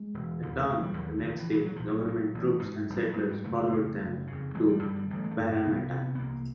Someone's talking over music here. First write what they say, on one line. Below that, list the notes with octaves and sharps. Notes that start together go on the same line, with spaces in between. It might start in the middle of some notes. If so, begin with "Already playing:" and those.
At dawn the next day government troops and settlers followed them to Parramatta.
Already playing: G#3
E1
D#2 D3
A3
E1 G#3
F#3
G3
D#2 D3 F#3
E3
A#1 D#3
E3
A#2 E3
F#3
A#1 F3
F#3
A#2
A1
G#2
A1 G3
F#3
G#2 G3
G3
F#1 A3
F2 C#3
F#1
F2 C#3
A1 G#3
G3
G2 D3 G3
G3
A1 G3
G#3
A3
G2 D3 G#3
A#3
C2 B3
C3 B3
B3
C2 A#3